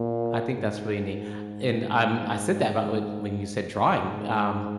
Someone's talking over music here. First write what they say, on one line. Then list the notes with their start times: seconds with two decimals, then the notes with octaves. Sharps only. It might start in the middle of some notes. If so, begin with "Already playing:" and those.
I think that's really neat, and, um, I said that about when you said drawing, um,
Already playing: A#2
0.56 G#2
3.93 G#2